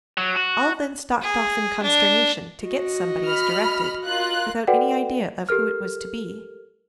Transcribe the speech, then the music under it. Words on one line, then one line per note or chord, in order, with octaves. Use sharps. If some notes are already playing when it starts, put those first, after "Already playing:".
All then stalked off in consternation, to get somebody as directed, without any idea of who it was to be.
F#3
F#4
G#4
D4
F#4 D#5
B5 F6
F4 A#4 F#6
F#4 A4 B4 D5 F#5 G5
G4 A4 A#4 F6